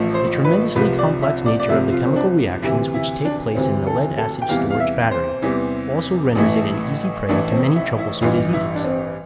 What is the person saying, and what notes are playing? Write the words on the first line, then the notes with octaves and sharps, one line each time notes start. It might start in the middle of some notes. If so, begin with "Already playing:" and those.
The tremendously complex nature of the chemical reactions which take place in the lead-acid storage battery also renders it an easy prey to many troublesome diseases.
Already playing: A1 A2 F3 A3
C5
B4
C2 C3 F3 B4
D5
E5
D5
D5
C2 C3 F3 E5
F4
C4
D4
D2 C3 E3 E4
E4
D4
D2 C3 E3 C4
A4
A4
G5
E2 C3 E3 G3 F5
F5
E5
C5
E2 C3 E3 G3
A1 A2 E3 A3
A1 A2 E3 A3 D4
C4
E4
E4
A1 G2 E3 F4
E4
D4
C4